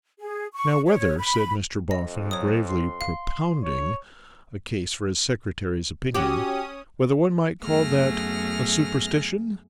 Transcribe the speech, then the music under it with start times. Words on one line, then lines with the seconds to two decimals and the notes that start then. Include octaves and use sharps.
'Now, whether,' said Mr Boffin, gravely propounding a case for his Secretary's opinion; 'whether one might call that a superstition?'
0.20 G#4
0.53 C#6
0.87 C#5
1.18 B5
1.91 F2 D#5
2.31 F#3 C#5 D#6
2.69 C6
3.01 F5
3.64 C#5
6.14 C#4 F#4 G4 D#6
7.63 F#2 A3 B3 G#4 F6 A#6